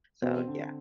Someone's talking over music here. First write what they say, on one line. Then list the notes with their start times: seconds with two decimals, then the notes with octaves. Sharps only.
so, yeah.
0.22 B2 C4
0.48 D3